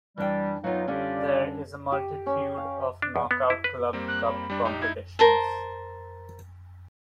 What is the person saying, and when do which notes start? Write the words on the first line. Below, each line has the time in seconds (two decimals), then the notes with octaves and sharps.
There is a multitude of knockout club cup competitions.
0.18 E3 G3 D4 G5
0.64 B2 F#3 B3 D#4 F4
0.88 D3 G3 C#4 F4 G4 D5
1.92 G4
2.26 C#4
2.58 F5
3.02 D4
3.16 E2
3.31 B3
3.50 E4
3.64 B4
3.93 G3 A#3 C4
4.08 F#6
4.24 B5
4.50 G3 D4
4.65 A#1 D#4 G4
4.82 D#4 E4 G#6
5.19 A#4 C5 A5